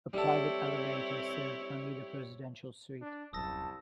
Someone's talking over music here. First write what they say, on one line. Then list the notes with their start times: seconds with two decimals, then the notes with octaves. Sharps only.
A private elevator served only the Presidential Suite.
0.14 G3 C4 E4 A4 C#5
3.01 D4
3.33 D#1 C2 F#2 A5 D#6 E6 A#6